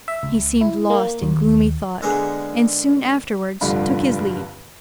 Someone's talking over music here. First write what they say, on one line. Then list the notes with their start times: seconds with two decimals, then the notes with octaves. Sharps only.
He seemed lost in gloomy thought, and soon afterwards took his leave.
0.08 E5
0.23 C#2
0.61 E4
0.90 A#3
1.22 D#2
2.02 D3 G#3 A#3 B3 G#4
3.61 F1 G2 D3 D4 F4 B5